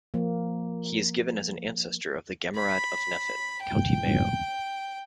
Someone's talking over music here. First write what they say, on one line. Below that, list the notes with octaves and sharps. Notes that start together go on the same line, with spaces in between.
He is given as an ancestor of the Gamarad of Nephin, County Mayo.
F3 A#3
B5
G5